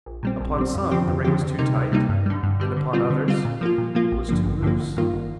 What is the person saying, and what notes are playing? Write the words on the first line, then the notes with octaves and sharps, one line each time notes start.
Upon some the ring was too tight and upon others it was too loose.
A#1
A#2 G3 C4
A#1
A#2 G3 C4
F2
D3 F3 C4 G4
F2
D3 F3 C4 G4
D2
C3 G3 A#3 D#4
D2
C3 G3 A#3 D#4
G2
D3 G3
G2
D3 G3
D3
G3 C4 F4
D3
G3 C4 F4
A#2
F3 A#3 F4
A#2
F3 A#3 F4
A1
G2 D3 F3 A#3
A1
G2 D3 F3 A#3
G1
G2 D#3 A#3 F4
G1